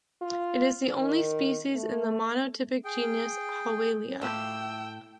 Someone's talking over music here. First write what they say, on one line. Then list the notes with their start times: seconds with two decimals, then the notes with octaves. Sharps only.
It is the only species in the monotypic genus Howellia.
0.22 F4
0.99 D#3
1.75 A3
2.85 G#4 G5
4.22 A2 A3 F4 G4 G5 E6